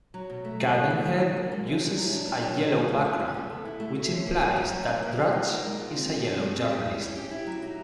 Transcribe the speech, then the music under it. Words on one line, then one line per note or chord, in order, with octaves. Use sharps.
Cadenhead uses a yellow background, which implies that Drudge is a yellow journalist.
F#3
B2
A3
E3
A2
A3
G3
D3
A#3
G#3
E4
C#4
F#3
D4
B3
F#3
C#4
A3
A3
F4
C#4
B3
A4
E4
A3
F#4
C#4
A#3
F#3
C#4
F#3
C#4
A#3
F3
D#4
A#3
G#3
F4
C4
F3
C4
G#3
C4
G4
E4
C#4
G4
E4
F#3
D#4